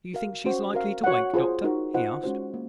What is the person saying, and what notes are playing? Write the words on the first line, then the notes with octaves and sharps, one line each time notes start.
"Do you think she is likely to wake, Doctor?" he asked.
F#4 A#4 F5
C#4 F#4 C5
F#4 A#4 F5
F#4 C#5 F#5
F4 G#4 C5
D#4 F#4 A#4
F4 C5 D#5 F#5
G#3 C#4 F#4 C5
A#3